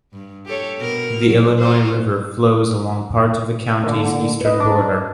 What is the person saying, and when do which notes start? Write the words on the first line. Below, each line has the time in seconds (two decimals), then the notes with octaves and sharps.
The Illinois River flows along part of the county's eastern border.
0.13 G2
0.46 G4 A4 C#5
0.79 B2 A#4
1.28 F#3
1.59 F4 F#4 C5
3.83 A#2 D3
4.41 B4 D#5
4.60 D4